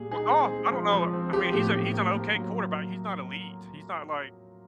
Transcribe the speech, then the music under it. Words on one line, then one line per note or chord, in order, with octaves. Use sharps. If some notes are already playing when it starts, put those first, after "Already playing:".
Well, Goff I don't know. I mean, he's a he's an okay quarterback. He's not elite. He's not like,
Already playing: A#2 G3 G#4
D#4 G#4
C4
G#3
F3
F3
C4
F3 G4
A2 G4
A2
A#3
A#3
F#3